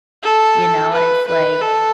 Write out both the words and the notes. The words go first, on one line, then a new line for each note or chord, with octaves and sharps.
you know? And it's, like,
A4
B4
B4
A4